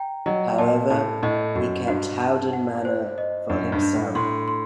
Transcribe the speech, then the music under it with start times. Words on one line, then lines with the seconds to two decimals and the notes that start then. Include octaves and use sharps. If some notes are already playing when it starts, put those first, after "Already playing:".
However, he kept Howden Manor for himself.
Already playing: G5 A#5
0.26 F#3 D#5
0.58 A#2 A5
0.90 A2 A5
1.23 A2 D#5
1.55 F#2 F#4
1.87 G2 F#4
2.20 A5
2.53 F#5
2.85 C5
3.18 D#5
3.50 F#2 D4
3.72 G2
3.83 D4
3.94 A2
4.15 A2 C6
4.48 C6